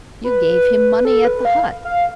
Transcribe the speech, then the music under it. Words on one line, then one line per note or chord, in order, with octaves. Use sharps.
You gave him money at the hut.
B4
A4
B4
F5
F5